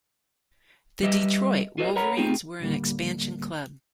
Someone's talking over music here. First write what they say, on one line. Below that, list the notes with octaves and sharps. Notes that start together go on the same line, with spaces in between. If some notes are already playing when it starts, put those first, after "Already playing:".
The Detroit Wolverines were an expansion club.
G3 G4 B4 D#5 E5
F4 F#4 A4 B4 D5 D#5
A#4 B4 C#5 F#5 A#5 B5
A3 C4 D#4 F4 G4 G#4
D#2 A2 D3 G3 A#3